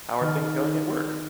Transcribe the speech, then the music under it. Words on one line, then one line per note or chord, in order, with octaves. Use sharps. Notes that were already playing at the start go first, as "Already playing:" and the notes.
How are things going at work?
D#3 D#4 F6